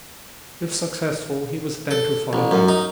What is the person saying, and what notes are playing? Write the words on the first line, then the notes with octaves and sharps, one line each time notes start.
If successful he was then to follow me.
A4
A1
F#2
D#4